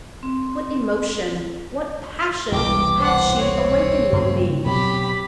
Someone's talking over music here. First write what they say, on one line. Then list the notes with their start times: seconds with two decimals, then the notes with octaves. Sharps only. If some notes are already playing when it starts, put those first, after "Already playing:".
What emotion, what passion, had she awakened in me?
0.23 C4
2.52 E1 C2 E3 G5 D6
2.99 C5 F#5
3.35 C4 C#5
4.12 G2 C#3 A#3
4.65 B2 F#3 C4 G4 B5